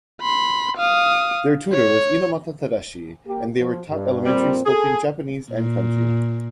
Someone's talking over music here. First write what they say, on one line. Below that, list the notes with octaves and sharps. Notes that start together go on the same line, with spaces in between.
Their tutor was Inomata Tadashi, and they were taught elementary spoken Japanese and kanji.
B5 C6
F5 D#6
C#5
A#3 G4
F3
G2
F2 A#2 G3 C4
G#4 A4
A#2